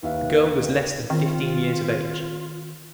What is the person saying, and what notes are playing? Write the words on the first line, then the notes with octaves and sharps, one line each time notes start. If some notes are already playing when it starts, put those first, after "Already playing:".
The girl was less than fifteen years of age.
D#2 B4 E5 F5
D#3 C4 F4